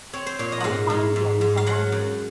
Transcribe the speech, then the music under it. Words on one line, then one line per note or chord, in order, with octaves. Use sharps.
Are we finally getting somewhere?
C4 C#5
C5
A#2 C#5
D#5
G#2 F5 F#5
G#2
G#2
G#2
F5
F#3 F#5
F#2